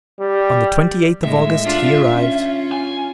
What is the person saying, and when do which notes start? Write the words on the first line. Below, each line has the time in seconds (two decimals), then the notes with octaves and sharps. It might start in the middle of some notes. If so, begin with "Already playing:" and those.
On the twenty-eighth of August he arrived.
0.20 G3
1.24 A2 G#3 E5
1.64 D4 F4
2.09 C#4 F4
2.72 G#5